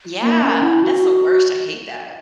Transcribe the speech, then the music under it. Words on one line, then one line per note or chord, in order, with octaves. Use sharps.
Yeah. That's the worst, I hate that.
A#3
C#4
E4
F#4